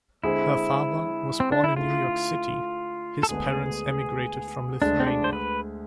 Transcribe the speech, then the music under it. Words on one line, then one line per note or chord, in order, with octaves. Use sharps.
Her father was born in New York City; his parents emigrated from Lithuania.
D3 G#3 C4 E4 G#4
C4
D4
E4
D3 A3 E4 F4
A4
D2 D3 G#3 B3 D4 G#4
D2 D3 G#3 D4
C4
D4
C5
B4